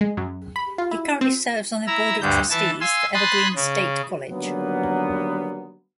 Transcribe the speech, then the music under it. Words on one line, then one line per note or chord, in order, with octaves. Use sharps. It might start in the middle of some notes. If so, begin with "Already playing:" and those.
He currently serves on the Board of Trustees for Evergreen State College.
G#3
F#2
B5
F4
E4
C4
E4 A#5 E6
D2 G2 D3 G6
E3 E4 A5 A6
F5 G#5 C6 E6
G#5 B5 C6 D#6 F#6 A6
C#3
D3 D#3 F#3 G3 A#3 B3